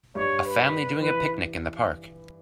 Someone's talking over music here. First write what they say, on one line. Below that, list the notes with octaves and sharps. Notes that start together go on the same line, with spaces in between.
A family doing a picnic in the park.
G2 C#5
B4
E3 B4